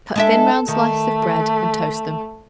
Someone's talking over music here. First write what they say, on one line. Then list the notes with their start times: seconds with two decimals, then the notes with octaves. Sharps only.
Cut thin round slices of bread and toast them.
0.16 G#3 D4 A4 E5
0.68 D#3 A3